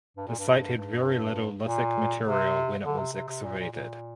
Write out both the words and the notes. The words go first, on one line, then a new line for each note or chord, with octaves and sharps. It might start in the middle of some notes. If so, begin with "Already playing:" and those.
The site had very little lithic material when it was excavated.
G2
A#2
G2
A#2
G2
G2
A#2
C3
D3
C3
C3
C3
A#2
A#2
A#2